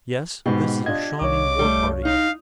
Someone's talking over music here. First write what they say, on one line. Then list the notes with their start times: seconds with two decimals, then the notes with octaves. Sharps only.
Yes, this is a Shawnee war-party.
0.46 G#2 B2 G4
0.86 D4 F4 D#5 G#6
1.21 C2 C#5 D6
1.59 G3 A3
2.05 D#4 F5